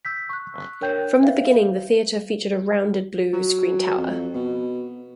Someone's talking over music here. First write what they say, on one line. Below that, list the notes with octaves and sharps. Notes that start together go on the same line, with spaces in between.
From the beginning, the theater featured a rounded blue screentower.
E6 G6 B6
C#6 F#6
D4 A#4 C#5 G5 G6
B4 C5 E5 F5
F#3
F2
B2